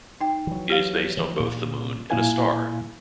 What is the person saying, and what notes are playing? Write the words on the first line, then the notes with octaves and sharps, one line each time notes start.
It is based on both the moon and a star.
D#4 G5
E3 F#3
G4 F5
E3 F3
A#2
A#2 A#3 E4 F5 G#5 G#6